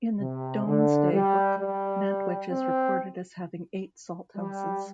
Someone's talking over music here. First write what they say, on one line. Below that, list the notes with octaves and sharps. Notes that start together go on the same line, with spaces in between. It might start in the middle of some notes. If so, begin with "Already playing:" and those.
In the Domesday Book, Nantwich is recorded as having eight salt houses.
C3
D3
G3
G3
C4
G3